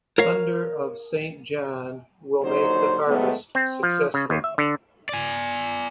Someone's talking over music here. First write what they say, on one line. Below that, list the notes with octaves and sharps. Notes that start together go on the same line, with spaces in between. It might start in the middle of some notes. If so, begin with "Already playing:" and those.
Thunder of Saint John, will make the harvest successful.
A#4 C#5 F5
D#2 D3 F#3 D#4 C5
G#2 D#3 F#3 A3 B3
C4
F3
C#3
D#2
E5
D3
D5 G#5